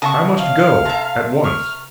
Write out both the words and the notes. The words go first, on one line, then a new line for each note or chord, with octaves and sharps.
I must go--at once.
C#3 D#5 E5 F#5 A5 C#6
F5 F6
C3 A4 E5
C#6 F6